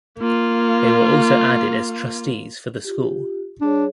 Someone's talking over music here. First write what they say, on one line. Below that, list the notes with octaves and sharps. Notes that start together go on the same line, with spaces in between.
They were also added as trustees for the school.
A#3 F4
F4 G4
G3 D4 G#4 C#5